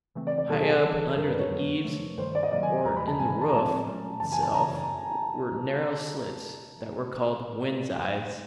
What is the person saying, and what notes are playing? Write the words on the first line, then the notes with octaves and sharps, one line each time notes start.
High up under the eaves or in the roof itself were narrow slits that were called wind's-eyes.
C#3 E3 A3 C4
D5
D5
B2 F#3 B3 A4
G#4
A4
C#3 E3 G3 A4
F#2 D#3 G3 A#4
B4
C#5
F2 D3 F#3 B3
C3 F3 A3
G2 D#3 G3 C5
D5
D#5
C3 D#3 F#3 A#3 D5
G#5
G#5
E2 C3 F3 G#3 A#5
B5
A5
G#2 E3 G3 G#5
G#5
A5
A#5
A2 F3 G#3 C4 A5
A#2 F#3 A3 C#4
F#2 C#3 E3 A5
G#5
A5
F#2 C#3 E3 A#5